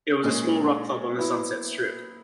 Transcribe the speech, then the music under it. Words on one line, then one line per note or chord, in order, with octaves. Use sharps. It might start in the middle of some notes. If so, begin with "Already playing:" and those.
It was a small rock club on the Sunset Strip.
A#2 G#3 C#4 G#4
F#3 B3 E4